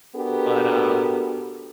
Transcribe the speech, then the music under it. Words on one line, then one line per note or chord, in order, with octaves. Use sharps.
B But, um
B3 D4 F#4 G4 A4 A#4